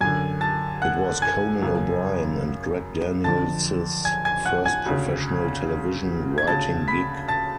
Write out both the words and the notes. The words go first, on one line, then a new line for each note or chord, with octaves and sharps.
It was Conan O'Brien and Greg Daniels's first professional television writing gig.
F#2 D3 G#5 G#6
A5 A6
F#5 F#6
G#5 G#6
F#2 C#3
F2 D3 A5 A6
G#5 G#6
G#5 G#6
F#5 F#6
G#5 G#6
D2 C#3
G#6
D2 C#3 A5 A6
B5 B6
A5 A6